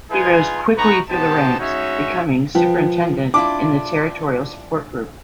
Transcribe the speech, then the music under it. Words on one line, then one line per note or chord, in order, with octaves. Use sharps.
He rose quickly through the ranks, becoming Superintendent in the Territorial Support Group.
D#4 F4 G#4 B4 G#5
B3 D#4 B4 A#5 C#6
B3 D#4 G4 C5 A5
G#3 C#4 D#4 F#4 C#5 E5
F3 B4 G5
D4 E4 F4 D6